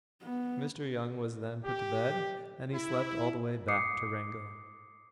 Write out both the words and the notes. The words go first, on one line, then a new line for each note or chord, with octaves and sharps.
Mr. Young was then put to bed, and he slept all the way back to Wrangell.
B3
G4
E4
D6 D#6 C7 C#7